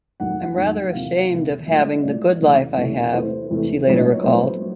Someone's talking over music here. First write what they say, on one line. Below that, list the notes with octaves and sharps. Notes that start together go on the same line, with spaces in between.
I'm rather ashamed of having the good life I have, she later recalled.
F1 D#2 D#3 F#3 F#5
F1 D#2 D#3 F#3
F#5
E2 C3 F3 A#3 F5
E2 C3 F3 A#3
B1 A2 F3 G#3 E5
D#5
D5
B1 A2 F3 G#3 D5
E2 C3 E3 A3 C#4
E2 C3 E3 A3 C#4
E2 C3 E3 A3 C5
E2 C3 E3 A3
A#1 A2 F#3 B3 C#5
D#5
C#5
A#1 A2 F#3 B3 C5
F#3